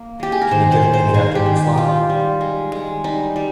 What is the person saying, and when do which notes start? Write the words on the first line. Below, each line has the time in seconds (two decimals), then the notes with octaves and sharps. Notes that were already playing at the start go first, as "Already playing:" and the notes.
Can you give me the afternoon slot?
Already playing: A#3
0.20 G#3 G4
0.32 G#4
0.42 A#4
0.51 D#3 C5
0.72 C5
0.83 D#3
0.93 C5
1.14 G#3 G#4
1.35 G4
1.46 D#3
1.56 G4
1.77 D#3 F4
2.10 G3
2.41 G#3
2.72 G#3
3.04 G3 D#4
3.36 G3